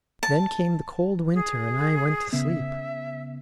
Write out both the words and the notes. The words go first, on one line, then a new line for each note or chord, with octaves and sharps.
Then came the cold winter, and I went to sleep.
A5
G#4
C#3 B3 E5